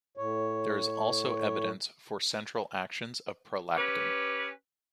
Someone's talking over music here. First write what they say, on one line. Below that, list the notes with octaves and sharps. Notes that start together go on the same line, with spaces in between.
There is also evidence for central actions of prolactin.
A2 C#5
C#4 G4 B4